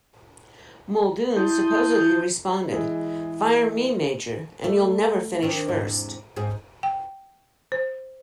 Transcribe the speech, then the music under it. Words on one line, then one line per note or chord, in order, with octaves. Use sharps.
Muldoon supposedly responded, Fire me, Major, and you'll never finish first.
E4 A5 C6 D#6 G6
E3 G#3
A3
D#3 C4 D4
E2 G#2 C3
G#2 C4 G#4
G5
C5